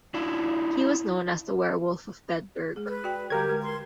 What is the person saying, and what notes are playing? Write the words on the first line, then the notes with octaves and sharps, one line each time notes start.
He was known as 'the werewolf of Bedburg'.
D4 E4 F4
G#3 G#4
B4
F#4 D5 G5
D3 G3 G4 A#4 G#6
G#3
C6